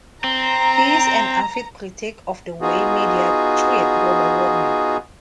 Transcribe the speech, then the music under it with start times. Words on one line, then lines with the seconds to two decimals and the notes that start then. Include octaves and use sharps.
He is an avid critic of the way media treat global warming.
0.24 C4 A#5
2.61 B3 D#4 F4 F#4 G#4